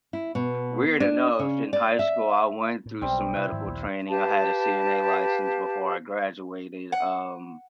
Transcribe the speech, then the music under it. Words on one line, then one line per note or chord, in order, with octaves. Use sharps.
weird enough in high school, I went through some medical training. I had a CNA license before I graduated, um,
E4
B2
D4
C#3
D5
E5
A2
B1 G3 C4
C3 E4
G#2 D#3 F3
A#1 D#2
G4 B4 F5 A5
F#5